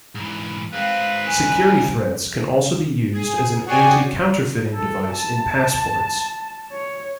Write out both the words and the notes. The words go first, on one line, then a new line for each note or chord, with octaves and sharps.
Security threads can also be used as an anti-counterfeiting device in passports.
G#2 E3
G#2 C4 B4 F5
C2 D#3 G#5
G#4
F#4 G#4 C#5 D5 G5 G#5
A4
A5
C#5